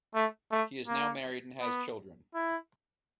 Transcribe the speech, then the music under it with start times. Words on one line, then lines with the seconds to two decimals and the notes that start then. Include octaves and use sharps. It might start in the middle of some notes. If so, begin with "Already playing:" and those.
He is now married and has children.
0.15 A3
0.51 A3
0.88 A#3
1.61 B3
2.34 E4